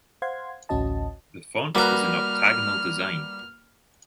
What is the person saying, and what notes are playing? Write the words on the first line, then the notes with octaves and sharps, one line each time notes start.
The font is an octagonal design.
C5 F5 F#5 C6 G#6
A1 D2 C#4 F#4 D#5 A5
G3 A#3 F#4 B4 A#5 F6